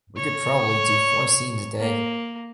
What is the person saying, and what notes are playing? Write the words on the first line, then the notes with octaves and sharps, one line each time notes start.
We could probably do four scenes a day.
C#5
A#3